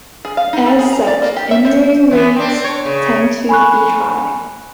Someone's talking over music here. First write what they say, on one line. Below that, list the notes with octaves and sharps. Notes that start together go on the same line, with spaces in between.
As such, injury rates tend to be high.
G#4
F5
D#4
A4
G#4
A#5
D5
A#3
G4
E5
C5
E3 B3
C4 D4
C#5
C#3
G#5 B5 C#6 F#6